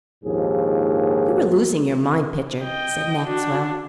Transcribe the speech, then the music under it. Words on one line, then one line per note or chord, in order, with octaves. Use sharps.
"You are losing your mind, Pitcher," said Maxwell.
A#1 D#2 G#2 F3 G#4
D#5 G5
D4 F#4